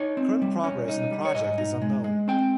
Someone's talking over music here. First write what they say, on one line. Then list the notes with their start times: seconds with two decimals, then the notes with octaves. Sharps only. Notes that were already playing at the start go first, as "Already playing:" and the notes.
Current progress on the project is unknown.
Already playing: D#4 C#5
0.17 C4
0.42 G3
0.64 C#4
0.88 D#4
1.11 G3
1.25 C#5
1.35 G#2 D#5
1.58 D#4
1.82 G#3
2.04 G#3
2.28 C4 G5